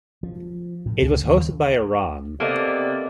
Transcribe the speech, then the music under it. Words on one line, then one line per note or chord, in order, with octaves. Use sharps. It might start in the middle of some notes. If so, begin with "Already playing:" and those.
It was hosted by Iran.
F3
A2
C#2
D#2
C3 A#3 B3 A4 D5 D#5